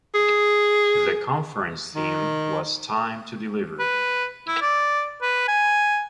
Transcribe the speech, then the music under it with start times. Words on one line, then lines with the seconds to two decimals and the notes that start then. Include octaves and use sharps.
The conference theme was "Time to Deliver".
0.15 G#4
1.95 D#3
3.79 B4
4.47 E4
4.61 D5
5.22 B4
5.48 G#5